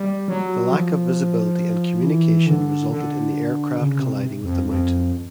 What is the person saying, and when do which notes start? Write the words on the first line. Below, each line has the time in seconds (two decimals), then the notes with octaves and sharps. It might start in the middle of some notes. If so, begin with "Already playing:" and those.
The lack of visibility and communication resulted in the aircraft colliding with the mountain.
Already playing: G3
0.28 F#3
0.72 F3
2.03 E3
2.46 D3
2.90 D3
3.78 C#3
3.99 C3
4.44 F2
4.66 F2